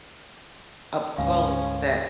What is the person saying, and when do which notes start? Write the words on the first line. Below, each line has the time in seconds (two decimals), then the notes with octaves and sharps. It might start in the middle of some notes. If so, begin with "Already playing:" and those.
up close that
1.18 D2 G#2 C#4 F5